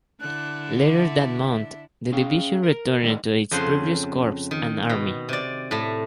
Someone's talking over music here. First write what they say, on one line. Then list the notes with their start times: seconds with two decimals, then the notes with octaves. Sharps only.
Later that month the division returned to its previous corps and army.
0.21 D3 D4 E4 F#6
0.98 E5
2.12 C#4 G#4 F5 G5
2.63 A#4
3.03 D#3 G#3 A3 D#4 A#4 D5
3.51 F2 C#3 C5 F#5 C6
4.51 D#3
4.90 B2
5.29 C3 D5
5.71 A2 A3